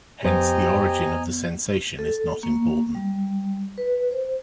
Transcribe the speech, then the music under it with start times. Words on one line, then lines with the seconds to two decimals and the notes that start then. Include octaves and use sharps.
Hence, the origin of the sensation is not important.
0.25 F2 B3 G4 C5 D#5 G#5 A#5
1.99 A4
2.43 A#3
2.95 G3
3.78 B4
4.11 C5